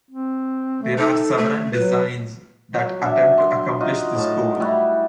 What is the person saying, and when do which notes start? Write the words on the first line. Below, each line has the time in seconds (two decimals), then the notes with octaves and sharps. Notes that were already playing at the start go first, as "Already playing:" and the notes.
There are several designs that attempt to accomplish this goal.
0.11 C4
0.83 A3
0.98 D#4 A4
1.38 A3
1.73 F#3 B4
2.74 F#3
3.02 D4 E5
3.38 C6
3.80 D#4 F4 F#4 D#5
4.15 A2 F#3 A5
4.60 G3 E4 F#4